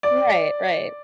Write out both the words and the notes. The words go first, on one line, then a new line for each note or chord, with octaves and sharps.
Right, right.
D5